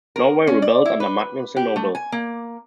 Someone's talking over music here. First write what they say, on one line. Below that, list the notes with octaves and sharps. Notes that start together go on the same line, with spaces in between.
Norway rebelled under Magnus the Noble.
A#4
C#4
D5
E4
B4
G4
A3
G#5
A#3